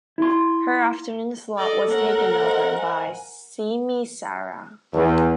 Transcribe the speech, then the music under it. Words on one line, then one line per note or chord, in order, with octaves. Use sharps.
Her afternoon slot was taken over by Simi Sara.
E4 C6
A4 D5 D#5
A#3 A#4 C#5 F#5
C5 D#5 F5
G#5
E2